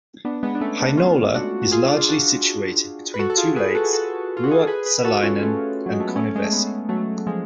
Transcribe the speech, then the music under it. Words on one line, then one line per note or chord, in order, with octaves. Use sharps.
Heinola is largely situated between two lakes, Ruotsalainen and Konnivesi.
B3 D4
G#3 B3
D4
A3 C#4
B3 D4
C#4 F4
D4 F#4
F#4
F4 G#4
D4
F4
D4 F#4
B4
F#4 A4
A4
F4 G#4
G#4 B4
F#4 A4
G#4
F#4 A4
F4
F#4
G#4
A4
G#4 B4
G#4 B4
F#4 A4
C#4 F4
A3 C#4
F#3
G#3
A3
B3
A3 C#4
G#3
A3
G#3 B3
F#3 A3
F3 G#3